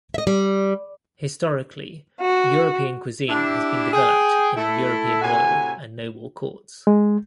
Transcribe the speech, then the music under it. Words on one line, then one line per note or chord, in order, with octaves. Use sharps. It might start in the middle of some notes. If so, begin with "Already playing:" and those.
Historically, European cuisine has been developed in the European royal and noble courts.
D#5 E5
G3
F#4
D4 E4 G4
G#4 G5
A3 E4 A4
A2 C3 F#4 G#5
G#3